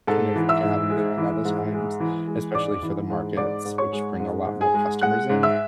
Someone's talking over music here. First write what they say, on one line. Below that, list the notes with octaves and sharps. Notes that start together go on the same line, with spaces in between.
kind of gather there a lot of times, especially for the markets, which bring a lot more customers in,
G#2 A4 A5
E3
E5 E6
G#2
G#3
E3
G#2
G#3
E3
G#3
G#2 D5 D6
E3
G#2
G#2 D5 D6
G#2
C#5 C#6
G#3
G#2
G#2
G#4 G#5
G#3
G#3 F#5 F#6
G#2
E5 E6